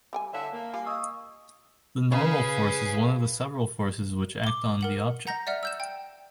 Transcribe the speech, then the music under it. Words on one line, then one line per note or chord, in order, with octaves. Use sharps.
The normal force is one of several forces which act on the object.
G3 G5 G#5
D3 C#5 E5 F5 A5
A#3
G3 F4 F5 G#5
D#5 C#6 D#6 E6
C#3 G#4 B4 C#5 F5
D6 G7
A#4 F#5 F#7
F#5 A#5 G6 A#6
D5 E5 F#5 F6
E6 G6 E7
G5